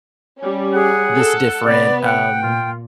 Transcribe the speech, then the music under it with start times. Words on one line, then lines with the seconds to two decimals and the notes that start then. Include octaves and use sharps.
this different, um,
0.39 G3 C#4
0.74 G#4 F#5
1.17 A4
1.64 C3 B3 D5
2.05 F#5 G5
2.43 A#2 F4